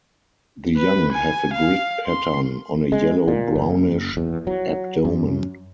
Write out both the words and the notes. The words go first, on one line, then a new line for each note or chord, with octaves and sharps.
The young have a grid pattern on a yellow-brownish abdomen.
B4
G#5
F5
C6
G#3
A#2
F#1
E2
F#3
F#2